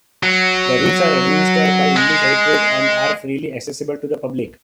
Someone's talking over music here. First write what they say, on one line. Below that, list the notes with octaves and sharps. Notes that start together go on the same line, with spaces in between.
The ruins are administered by English Heritage and are freely accessible to the public.
F#3
G#3